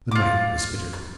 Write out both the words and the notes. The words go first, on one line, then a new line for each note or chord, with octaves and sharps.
The night was bitter cold.
F4 D6